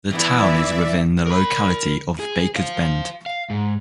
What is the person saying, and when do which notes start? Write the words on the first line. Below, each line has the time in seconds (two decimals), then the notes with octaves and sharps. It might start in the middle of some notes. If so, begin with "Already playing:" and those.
The town is within the locality of Bakers Bend.
0.11 E3 B3 E4 D5 E5
1.27 A#4 B5
2.19 G#4
2.55 C5 F5
3.26 F5
3.50 G#2